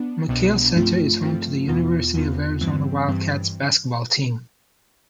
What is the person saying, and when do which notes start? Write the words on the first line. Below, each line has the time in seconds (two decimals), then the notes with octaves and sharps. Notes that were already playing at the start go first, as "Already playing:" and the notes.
McKale Center is home to the University of Arizona Wildcats basketball team.
Already playing: B3 D4
0.29 C2 B2 B3 D4
0.74 G2 F3 A3 C4 F4
1.21 G2 F3 A3 C4 F4
1.68 E2 B2 B3 F4
2.14 E2 B2 B3 F4
2.61 G2 E3 G3 C4
3.08 G2 E3 G3 C4